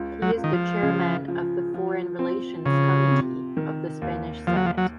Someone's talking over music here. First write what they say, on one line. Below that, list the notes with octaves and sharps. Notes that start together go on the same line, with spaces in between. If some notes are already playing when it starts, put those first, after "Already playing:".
He is the Chairman of the Foreign Relations Committee of the Spanish Senate.
Already playing: C#2
F#3
C#2
D#3
F3
C#3
F3
F3
C4
C#3 F3
C3
D#3
D#2
D#2 F3
F#3
F3
F#3